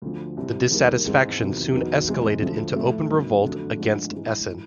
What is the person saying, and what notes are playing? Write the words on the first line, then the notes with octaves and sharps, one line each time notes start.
This dissatisfaction soon escalated into open revolt against Esen.
D2 D3 F3
C2 C3 E3
E1 D#2 D#3 G3 A#3
G#2 E3 G#3 C4
E2 C3 D#3 F#3
E2 B2 F#3 B3 D#4
E2 C3 E3 G#3
D2 D3 F3 A3
A2 F3 A3
G1 F#2 D#3
F2 D3 F#3 A3 D4
G#2 F3 A3 D4
G#2 E3 G#3
E3